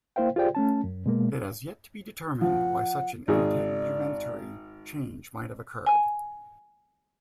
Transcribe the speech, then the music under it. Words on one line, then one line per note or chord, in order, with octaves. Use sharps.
It has yet to be determined why such an integumentary change might have occurred.
A#3 E4 C5 F5 G5
F4 G4 G#4 C5 D5 G5
A3 C#4 A5
F#2
B2 G#3 A#3
F3 F#5
G#1 G#4 D5
G#5